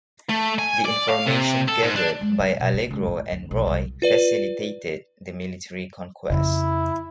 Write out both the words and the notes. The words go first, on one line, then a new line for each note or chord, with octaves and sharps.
The information gathered by Allegro and Roy facilitated the military conquest.
A3
G#5
D5
F5
C3
A4
G#2
D4
G#3
C#3
B2
C#3
C#2
A2
D2
B1
C2
F4 B4 D5
F2 C#3 E4